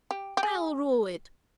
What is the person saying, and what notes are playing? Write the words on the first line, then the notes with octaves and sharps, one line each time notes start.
"I'll rule it!"
G4
G4
G#4